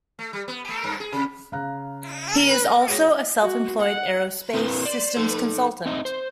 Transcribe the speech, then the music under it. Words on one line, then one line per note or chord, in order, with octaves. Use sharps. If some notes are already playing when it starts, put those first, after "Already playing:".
He is also a self-employed aerospace systems consultant.
A3
G3
B3
A3
G2
G#4
C3
C#3 F5 A#5 F#6
G#3 F#4 G#4 C#5 A#6
F#4
F#5
C4 E4 A#4 B4
D5
D#4 A4
C4 D#4 D#5 E5
C5